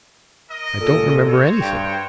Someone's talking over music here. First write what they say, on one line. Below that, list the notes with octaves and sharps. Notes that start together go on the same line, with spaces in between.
I don't remember anything.
A#4 D#5
A#2 A4
F#4 C5 C#5
G2 G5